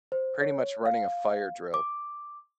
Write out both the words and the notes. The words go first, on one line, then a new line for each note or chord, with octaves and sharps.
pretty much running a fire drill,
C5
C#5
F5
D6